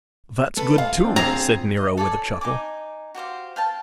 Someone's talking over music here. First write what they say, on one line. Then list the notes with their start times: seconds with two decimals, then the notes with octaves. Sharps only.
"That's good too," said Nero, with a chuckle.
0.57 A3 A4 B4
0.78 F4 F5
1.04 C4 D4
1.16 C4 F4 G#4 A#5 G#6
1.77 D#5
1.97 A4 C#5 D5 G#5
2.41 D#4 A#4 G#5 D6
3.15 F#4 G4 C5 F5
3.56 F5 G5 A5